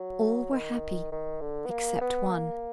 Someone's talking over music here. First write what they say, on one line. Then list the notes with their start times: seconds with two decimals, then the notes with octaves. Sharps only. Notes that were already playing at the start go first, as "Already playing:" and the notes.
All were happy except one.
Already playing: F#3
0.52 D#3
1.12 D#3
1.41 D3
1.66 B3
1.71 A#3
2.01 B3
2.31 A#3